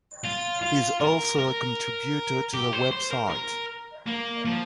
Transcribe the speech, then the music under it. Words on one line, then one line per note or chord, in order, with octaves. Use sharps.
He is also a contributor to the website.
F4
F4
A#4
A#4
G4
C5
C5
A#4
A#4
A#3
F3